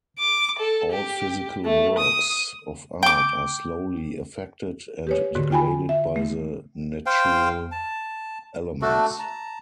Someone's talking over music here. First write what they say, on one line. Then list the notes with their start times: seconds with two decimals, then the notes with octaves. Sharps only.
All physical works of art are slowly affected and degraded by the natural elements.
0.19 D6
0.59 A4
0.92 G4
1.65 A3
1.98 D#6
3.03 G5 D6
5.07 G4 B4 C#5
5.35 G#2 D3 F#4
5.51 F4 G5 G#5 B5
5.89 E5
6.16 A3
7.06 C5 F5 G5
7.72 A5
8.82 A3 D4 F#4 A4
9.19 A5 A#5